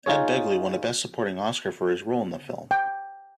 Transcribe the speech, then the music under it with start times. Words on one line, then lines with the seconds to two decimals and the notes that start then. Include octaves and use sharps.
Ed Begley won a Best Supporting Oscar for his role in the film.
0.06 D#4 F4 G#4 C#5
2.71 G5